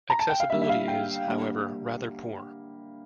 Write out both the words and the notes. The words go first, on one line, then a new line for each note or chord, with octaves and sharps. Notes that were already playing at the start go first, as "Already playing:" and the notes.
Accessibility is, however, rather poor.
A#5
A5
G5
F5
D3 G3 A#3 E5
E5
F5
G5
D3 G3 A#3